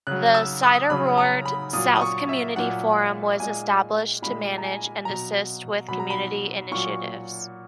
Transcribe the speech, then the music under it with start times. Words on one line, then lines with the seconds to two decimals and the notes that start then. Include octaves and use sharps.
The Suideroord South Community Forum was established to manage and assist with community initiatives.
0.07 C#3 F#3 F#6
0.34 E6
0.63 D#6
0.90 C#3 F#3 B5
1.18 A#5
1.46 B5
1.73 A#2 F#3 D#6
1.96 D#6
2.01 C#6
2.29 E5
2.56 A#2 F#3 F#5
3.40 A#2 G#3 G#5
4.22 A#2 G#3 B5
4.58 A#5
4.64 G#5
5.05 B2 F#3 A#5
5.88 B2 F#3 B5
6.00 A#5
6.10 B5
6.71 A#2 F#3 C#6